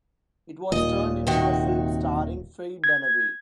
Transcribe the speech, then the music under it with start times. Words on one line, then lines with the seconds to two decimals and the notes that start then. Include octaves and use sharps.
It was turned into a film starring Faye Dunaway.
0.72 D#1 D#2 A#2 D#5
1.27 C3 D#3 F#4
2.84 G#6